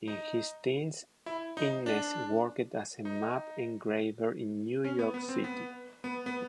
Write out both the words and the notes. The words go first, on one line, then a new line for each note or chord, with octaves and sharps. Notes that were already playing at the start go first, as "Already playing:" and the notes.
In his teens, Inness worked as a map engraver in New York City.
D#4
E4
D#4
D4
D#4
C#4
B3
B3
C4
B3
B3
B3